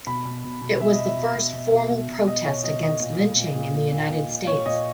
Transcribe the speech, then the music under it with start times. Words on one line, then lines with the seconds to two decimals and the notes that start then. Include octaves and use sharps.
It was the first formal protest against lynching in the United States.
0.07 B2 B5
0.25 B2
0.44 B2
0.62 B2
0.80 B2 E5
0.92 D#5
0.99 B2
1.05 E5
1.17 B2
1.36 B2
1.53 B2
1.72 B2
1.90 B2
2.09 B2
2.27 B2 D#5
2.45 B2 C#5
2.63 B2 D#5
2.83 B2 D#5
3.00 A#2
3.19 A#2
3.38 A#2
3.56 A#2
3.75 A#2
3.92 A#2
4.10 A#2
4.28 A#2
4.47 A#2 C#5
4.66 A#2 D#5